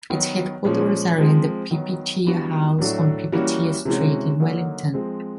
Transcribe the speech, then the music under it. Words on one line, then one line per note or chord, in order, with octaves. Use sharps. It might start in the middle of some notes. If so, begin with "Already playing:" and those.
Its headquarters are in the Pipitea House on Pipitea Street in Wellington.
D#3 F#3 B3
A#2 F3 G#3 C#4
F3 G#3 C4
D#3 F#3 B3
E3 G3 B3 D4 F#4
A2 F#3 A3 D4 F#4
E3 G3 A#3 C#4 F#4
C3 E3 G#3 C#4 F#4
D3 F#3 A#3 D#4
F3 G#3 C4